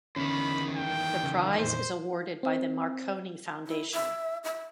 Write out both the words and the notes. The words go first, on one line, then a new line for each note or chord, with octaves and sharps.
The prize is awarded by the Marconi Foundation.
E2 D3 D#3 C#4 B5
G5
C#3
F2 A#2 C5
C4
E4
E5
E5